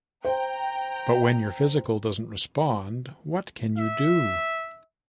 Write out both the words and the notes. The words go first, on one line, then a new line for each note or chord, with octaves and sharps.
But when your physical doesn't respond, what can you do?
C5 G5 A#5
E5